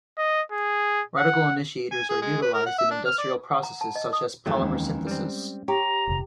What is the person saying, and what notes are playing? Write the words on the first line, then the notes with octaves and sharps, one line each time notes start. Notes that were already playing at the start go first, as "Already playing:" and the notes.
Radical initiators are utilized in industrial processes such as polymer synthesis.
D#5
G#4
F#5
G#5
G#4
G#3
B4
A#4
F#5
E5
D4
F6
D5
F#5
A#5
A5
D#5
D#6
F2 D#3 E3 F#3 G#3 A3
D#2 G#3 C#4
G3 C4
G4 C#5 A#5
D#1 F2 C3